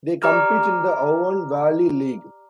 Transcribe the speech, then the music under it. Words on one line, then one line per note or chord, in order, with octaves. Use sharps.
They compete in the Avon valley league.
G4 D5 A#5 D6 F6